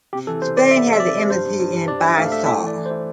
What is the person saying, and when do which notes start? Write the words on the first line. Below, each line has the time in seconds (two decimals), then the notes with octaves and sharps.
Spain has an embassy in Bissau.
0.13 C3 G4
0.27 E3 A4
0.42 C3 C5
0.57 C3 D5
0.71 C3 E5
0.86 C3
0.93 E5
1.00 C3 D5
1.16 G3
1.29 G2 C5
1.45 G2
1.60 G2
1.74 G2
1.88 D4 D5
2.03 D4 E5
2.18 A3 F5
2.32 A3 E5
2.46 E4 E5
2.62 E3 D5
2.76 E3
2.86 C5
2.91 E4